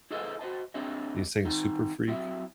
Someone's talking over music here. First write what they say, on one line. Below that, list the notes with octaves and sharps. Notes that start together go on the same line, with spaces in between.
they sing Super Freak,
E4 G#4 A4 B4 C5 D#5
F#4 C5 D#5 A5
C4 D4 G#4 C#5 D#5
D#3 C4 D#4
F#3 C4 E4 E5